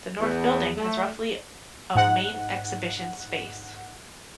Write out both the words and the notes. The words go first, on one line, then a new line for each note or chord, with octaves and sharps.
The North Building has roughly of main exhibition space.
E2
A3
G#2 F#5